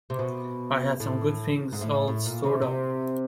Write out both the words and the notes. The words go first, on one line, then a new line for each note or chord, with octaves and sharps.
I had some good things all stored up.
C3
B2
A2
G#2
A2
A2
A#2
C3
C3